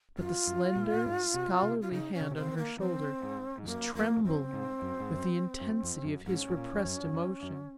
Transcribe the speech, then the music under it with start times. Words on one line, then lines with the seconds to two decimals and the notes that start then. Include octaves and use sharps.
But the slender, scholarly hand on her shoulder was trembling with the intensity of his repressed emotion.
0.18 F#2 F4
0.47 F#2
0.76 A#2
0.94 A#2
1.06 G#2
1.34 C3
1.63 C3
1.82 F4
1.92 C#3 D#4
2.14 C#4
2.21 C#3
2.31 C3
2.36 C#3 C4
2.50 D#3
2.57 A#3
2.79 F3 C4
3.23 G#2
3.58 G#2
3.66 F#2 A#3
3.95 F2 A#3
4.17 F2
4.24 F#2 C4
4.53 G#2
4.82 F#2
5.00 G#2
5.11 F#2
5.61 F#2
5.83 F2
6.05 F#2
6.27 G#2 C#4
6.49 G#2
6.56 A#2
6.73 F2
6.85 F#2
7.05 F#2
7.13 F2
7.43 F#2